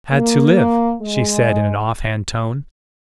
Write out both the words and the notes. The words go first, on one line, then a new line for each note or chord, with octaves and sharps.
"I had to live," she said in an off-hand tone.
A#3
G#3